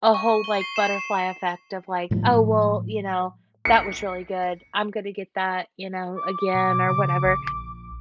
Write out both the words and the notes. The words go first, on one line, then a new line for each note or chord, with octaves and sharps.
a whole, like, butterfly effect of, like, "Oh well, you know, that was really good. I'm gonna get that, you know, again, or whatever,"
C#6
G7
C7
E7
A2 F3 G3 A3
C#7
D6
B2
C#3
A#1